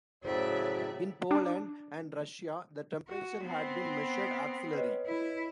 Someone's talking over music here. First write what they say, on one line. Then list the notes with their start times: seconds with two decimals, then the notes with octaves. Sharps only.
In Poland and Russia, the temperature had been measured axillary.
0.25 A2 C#3 F#3 C5 D5 E5
1.31 D4
3.08 F#4
3.42 B3 C4
4.73 B4 C#5 D#5
5.06 E4